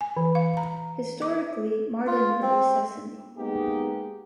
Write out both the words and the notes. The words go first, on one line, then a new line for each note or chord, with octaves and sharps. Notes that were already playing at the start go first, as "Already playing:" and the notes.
Historically, Mardin produced sesame.
G#5
E3
F5
A#5
D6
F4
C4
G#3 A#3 B3 D#4 G4 G#4